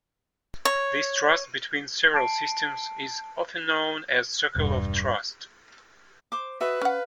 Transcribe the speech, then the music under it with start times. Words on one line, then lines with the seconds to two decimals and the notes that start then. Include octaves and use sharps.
This trust between several systems is often known as "Circle of Trust".
0.65 C#5
2.14 A5 C7 D7
4.56 E1 G2
6.32 C5 D6
6.61 F#4 B4 D#5 E5
6.82 C#4 F5 F#5